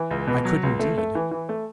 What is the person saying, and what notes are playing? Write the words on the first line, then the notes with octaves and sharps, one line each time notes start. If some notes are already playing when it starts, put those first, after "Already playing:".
I could, indeed.
Already playing: E3
C#2
B2
F#3
C#2
A3
A3
E3
E3
A3